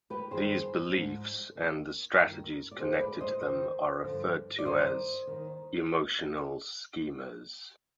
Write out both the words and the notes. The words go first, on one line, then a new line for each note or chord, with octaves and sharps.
These beliefs and the strategies connected to them are referred to as "emotional schemas".
G4 B4
G2 D#3 G#4 C5
G#2 F3
D#2 D#3
G2 D#3
D5
F2 D3 F3 G#4 C5
B4 D5
C5 D#5
F2 C3 D#3 C5 D#5
G2 D3 F3
D5
G2 D#3 C5 D#5
D#2 D#3